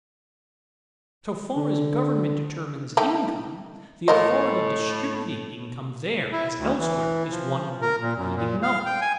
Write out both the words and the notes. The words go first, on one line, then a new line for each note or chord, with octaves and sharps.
So far as government determines income, the authority distributing income there, as elsewhere, is one willingly acknowledged.
D3
A3 D#4 G4
A2 A#3 A#4 C5 D#5
E4
D2
E3
F3
A#4
A#2
F#2
A#2
F5
G5
G#5